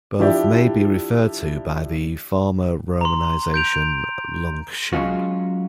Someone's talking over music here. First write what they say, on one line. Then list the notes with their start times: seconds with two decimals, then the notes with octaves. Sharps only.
Both may also be referred to by the former romanization Lung-shan.
0.19 F3 D4 E4 G4 D5
3.01 A#5 C6
3.54 G6 D7 F7
4.93 F#3 G#3 C#4 F4 F#4